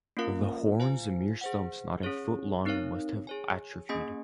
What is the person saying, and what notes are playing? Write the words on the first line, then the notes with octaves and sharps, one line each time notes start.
The horns, mere stumps not a foot long, must have atrophied.
A#3 C#4 F4 A#4 F5
F4 C5 F5 G#5
G#4 C5 F#5
C#4 G#4 C#5
C4 D#4 A#4 C#5 F5
G#4 C#5 G#5
A#3 C#4 G#4 D#5 G#5